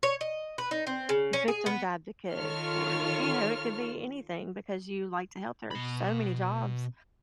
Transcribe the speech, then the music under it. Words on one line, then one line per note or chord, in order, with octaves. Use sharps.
victim's advocate or, you know, it could be anything because you like to help, there are so many jobs
C#5
D#5
B4
D#4
C4
C#3
C#4
G#4
B3
D#3 F4 A4 C#5 F6
B2 B5